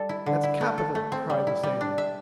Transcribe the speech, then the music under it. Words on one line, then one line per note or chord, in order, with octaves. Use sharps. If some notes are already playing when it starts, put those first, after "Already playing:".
"That's capital!" cried the sailor.
Already playing: G3 A4
E4
D3
E4
A3
A4
A3
C4
G3
E4
G3
D4
E5